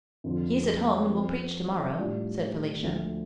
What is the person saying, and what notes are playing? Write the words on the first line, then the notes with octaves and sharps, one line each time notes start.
"He is at home and will preach tomorrow," said Felicia.
F2 D3 F3
F3 C4 A4
A2 G3 D4 F4 D5
D2 D3 F3 A3